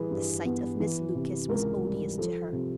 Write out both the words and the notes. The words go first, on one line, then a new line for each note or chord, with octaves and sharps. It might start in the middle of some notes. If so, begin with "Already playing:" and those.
The sight of Miss Lucas was odious to her.
Already playing: E3 G3 G#4 B4
G2
B3
E3
C3
C#2 A#4
G3
F3 A4
C3